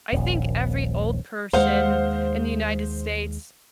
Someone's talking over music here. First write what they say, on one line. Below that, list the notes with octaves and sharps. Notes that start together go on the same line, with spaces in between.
I think every old person in the United States
D#1 A#1
D#2 G#3 C5 F5 F#5